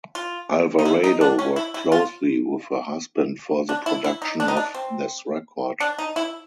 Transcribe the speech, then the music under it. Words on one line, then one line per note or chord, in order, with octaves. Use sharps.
Alvarado worked closely with her husband for the production of this record.
F4
D#4
E4
D#4
D4
C#4
E4
E4
F4
D4
E4
E4
D#4
D4
D#4
D4
C4
D4
D#4
E4